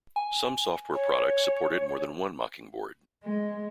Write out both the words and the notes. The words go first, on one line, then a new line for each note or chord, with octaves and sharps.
Some software products supported more than one Mockingboard.
G#5
C#5
G#3